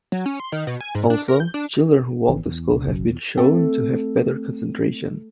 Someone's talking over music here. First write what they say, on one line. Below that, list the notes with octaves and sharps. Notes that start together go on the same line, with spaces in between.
Also, children who walk to school have been shown to have better concentration.
F#3
C#4
C6
D#3
B2
G#5
G#2
D4
A#4
G6
D4
G#1 E3 B3
E2
C#2 D4
F#1 B1 C#3 F#3
E2 B2
A3 C4